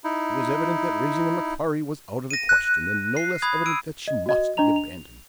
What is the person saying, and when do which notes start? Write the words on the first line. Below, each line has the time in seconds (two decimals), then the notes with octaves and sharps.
It was evident that raising the MACQUARIE was out of the question, and no less evident that she must be abandoned.
0.04 D#4 E4
2.31 A#6 D#7
2.49 F#6
3.17 C7
3.42 B5 D#6 G#6
3.66 E6 D7 D#7
4.08 D#5
4.26 F#4 D#5
4.57 D4 D#5 A#5 F7
4.76 F7